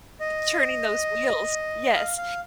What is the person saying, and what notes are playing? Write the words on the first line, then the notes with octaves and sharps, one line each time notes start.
turning those wheels yes,
D#5
F5
F5